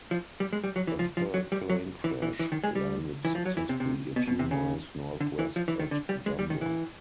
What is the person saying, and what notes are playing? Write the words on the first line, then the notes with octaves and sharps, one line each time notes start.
A third plane crash-landed successfully a few miles northwest at Jumbo.
F3
G3
G#3
G3
F#3
E3
F3
F3
F#3
G3
F#3
E3
E3
E3
D#3
G#3
G3
E3
F3
F#3
E3
C3
C3
B2
B2
C3
C#3
D3
E3
F3
E3
D#3
D3
G3
G#3
G3
D#3
E3